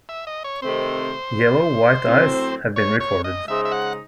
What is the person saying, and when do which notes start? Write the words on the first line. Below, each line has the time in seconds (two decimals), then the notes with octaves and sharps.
Yellow white-eyes have been recorded.
0.09 E5
0.27 D#5
0.44 C#5
0.62 C3 D#3 A3 C4 C5
2.05 A2 F#3 C4
2.76 C#5
3.00 C#5
3.24 D#5
3.47 C#3 G#3 D#4 G#4 C5 E5
3.65 E5
3.72 F#5